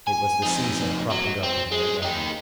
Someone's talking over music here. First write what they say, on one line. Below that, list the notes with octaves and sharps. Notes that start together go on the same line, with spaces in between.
It was the Caesar cropping up in him again.
G#5
F2 D#4
F#3
C4
G#3
D#4 G4